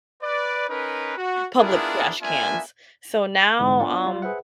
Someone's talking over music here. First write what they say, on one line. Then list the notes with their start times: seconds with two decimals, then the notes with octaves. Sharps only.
public trash cans. So now, um,
0.22 B4 D5
0.68 C#4 D#4 A#4 B4
1.16 F#4
1.59 B3 D4 E4 F4 G#4 A#4
2.21 A#3 B3 D4 F4 E5 G#5
3.59 G#2 D3 E3 G#3
3.79 B3 D4 F4 D5 F#5
4.06 G3 F4
4.22 G#4 B4 C5 E5 F#5